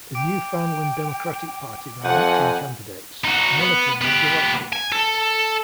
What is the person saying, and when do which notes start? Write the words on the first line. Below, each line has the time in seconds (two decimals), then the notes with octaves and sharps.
The Newfoundland Democratic Party ran eighteen candidates, none of whom was elected.
0.15 G5 D6 D7
2.04 F2 F#5 G#5 F#6 G6 D#7
3.25 D#4 F#4
3.61 B3
4.02 B3 G4
4.72 G#5
4.92 A4